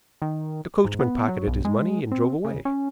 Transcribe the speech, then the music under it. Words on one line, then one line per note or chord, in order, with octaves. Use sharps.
The coachman pocketed his money and drove away.
D#3
G#2
B3
F#3
B1
G#3
C4
C#3
C#4